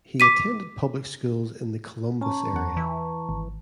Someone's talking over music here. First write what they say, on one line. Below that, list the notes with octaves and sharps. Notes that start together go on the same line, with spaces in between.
He attended public schools in the Columbus area.
D6 B6 D#7
C#4 A5 A#5 C#6
E2 F#5
E3
G#1